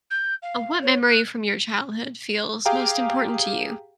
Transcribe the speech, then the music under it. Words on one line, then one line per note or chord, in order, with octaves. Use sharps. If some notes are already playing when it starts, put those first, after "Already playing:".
What memory from your childhood feels most important to you?
G6
F5
C#5
F#6
G4 G#4 F5 G5 A#5